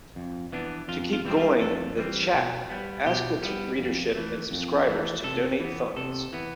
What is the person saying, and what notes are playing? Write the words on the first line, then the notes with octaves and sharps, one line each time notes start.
To keep going "The Chap" asked its readership and subscribers to donate funds.
F2
E3 B3 D4
F2 F4
F4
E3 G3 C4
F4
F2 A4
E3 G3 C4
B2
G3 B3
B2 G4
G3 B3
F2
E3 A3
F2
E3 A3
C3 A4
E3 B3
C3 A4
E3 B3